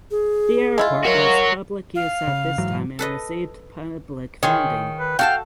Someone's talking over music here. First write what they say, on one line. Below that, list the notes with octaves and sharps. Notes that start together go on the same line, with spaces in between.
The airport was public use at this time and received public funding.
G#4
G#3 E4 F4
F#4 A#4 C#5
F5
C#3
G#2 E3 F#3
A4 B4 D#5
D#3 F4 G#4 C#5
B4
F#4 A4 F5 G5 A5